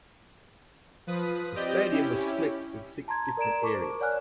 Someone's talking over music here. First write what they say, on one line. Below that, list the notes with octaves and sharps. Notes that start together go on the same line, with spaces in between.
The stadium was split with six different areas.
F3 B4 D#6
C4 G4 D5 D#5 G6
C#4 E4 G4
A5 A#5 C6 G#6
A#4 D5 A#5 D7 E7
A#4 A5 C#6 D6
C5
C#5 D5 F#5 G#5 F6 F#6